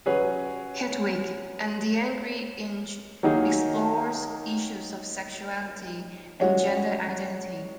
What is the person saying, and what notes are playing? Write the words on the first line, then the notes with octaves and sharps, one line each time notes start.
Hedwig and the Angry Inch explores issues of sexuality and gender identity.
F#3 C#4 G#4 B4
D#3 F#3 A#3 D#4 G#4
G#3 C#4 F#4 C#5